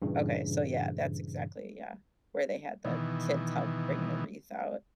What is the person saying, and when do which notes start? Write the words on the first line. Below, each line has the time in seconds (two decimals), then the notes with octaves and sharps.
Okay, so yeah, that's exactly yeah, where they had the kids help bring the wreath out.
0.02 G2 A#2 C#3 E3
2.85 B2 D#3 E3